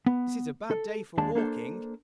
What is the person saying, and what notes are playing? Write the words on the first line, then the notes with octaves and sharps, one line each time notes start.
'This is a bad day for walking!
B3
A4
D#2 G#3 D4 A5
A#3 D4 A4 C5